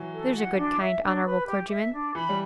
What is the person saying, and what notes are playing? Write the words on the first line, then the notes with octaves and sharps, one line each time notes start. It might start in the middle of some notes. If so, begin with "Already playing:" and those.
There's a good, kind, honourable clergyman.'
Already playing: E3 F#3
A4
F#5
D4
E5
D4
B4
G4
E5
D4
E3 B5
G3